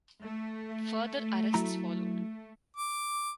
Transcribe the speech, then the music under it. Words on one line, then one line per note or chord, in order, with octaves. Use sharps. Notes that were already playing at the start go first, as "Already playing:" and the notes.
Further arrests followed.
A3
F#3 E4 A#5
D6